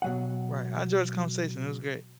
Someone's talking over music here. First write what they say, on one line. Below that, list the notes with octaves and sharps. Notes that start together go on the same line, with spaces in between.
Right. I enjoyed this conversation, it was great.
B2 F#3 F#5